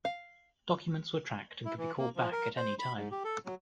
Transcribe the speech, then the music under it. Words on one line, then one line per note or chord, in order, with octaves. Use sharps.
Documents were tracked and could be called back at any time.
F5
E4
E3
A#3
F3
A#4
C5
B5
G#2
G4
A4
F#3